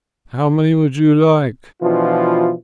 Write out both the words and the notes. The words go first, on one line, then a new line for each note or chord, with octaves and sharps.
"How many would you like?"
B2 E3 F3 D4 F4